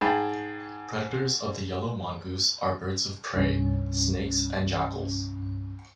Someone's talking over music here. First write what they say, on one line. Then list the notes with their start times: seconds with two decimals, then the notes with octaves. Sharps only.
Predators of the yellow mongoose are birds of prey, snakes and jackals.
0.01 G#2 G#4 G5 A5 B5
3.35 C2 G2 C#4